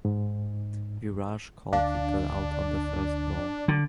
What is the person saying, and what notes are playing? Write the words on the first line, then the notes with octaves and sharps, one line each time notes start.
Viraj Kolhi got out on the first ball.
G#2
D2 D3 D4 F5
D3 F#3